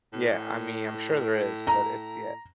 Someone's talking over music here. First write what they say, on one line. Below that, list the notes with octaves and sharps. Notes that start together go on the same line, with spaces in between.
Yeah, I mean, I'm sure there is, but it's Yeah.
A2
A#5